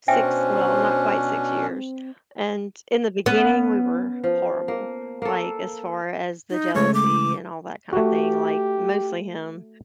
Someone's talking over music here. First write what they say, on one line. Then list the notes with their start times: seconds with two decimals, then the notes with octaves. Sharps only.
six well, not quite six years, and in the beginning, we were horrible, like, as far as the jealousy and all that kind of thing, like, mostly him,
0.08 B2 C#4 D4 C5 E5 G5 G#5
1.65 C4
3.26 B3 C#4
4.24 F3
4.68 A#3
5.22 A#3 A4
6.50 D#4
6.75 C#3 G#3 A3 C#5
6.94 D6
7.93 A3 F#4 G4